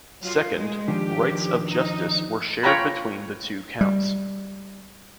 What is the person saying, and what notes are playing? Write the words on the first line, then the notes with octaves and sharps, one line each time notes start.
Second, rights of justice were shared between the two counts.
F#3 F4
G#3
D#3 F3 D4 G4
D#4
F4 C#5 G5 A#5 B5
G3